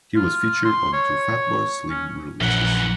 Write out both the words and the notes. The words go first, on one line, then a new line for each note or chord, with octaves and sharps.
He was featured on two Fatboy Slim releases.
F4
C6
C#5
C#4
A#1 F#2 E3 F#5